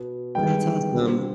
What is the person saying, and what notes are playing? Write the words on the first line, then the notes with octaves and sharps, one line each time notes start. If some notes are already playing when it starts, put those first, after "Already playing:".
That's awesome.
Already playing: B2 B3
G2 D#3 G#3 B3 G5
D3 G3 C4